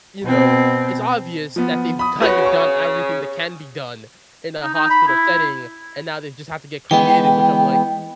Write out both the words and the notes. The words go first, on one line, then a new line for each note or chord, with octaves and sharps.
you know, it's obvious that they've kind of done everything that can be done in a hospital setting, and now they've just had to get creative, which I'm like,
B2 C4
F3 B3
B5 D#6
F#4 G#4 B4 C#5
C#6
D#4
D#4
B5
E4
E3 G#3 B3 G5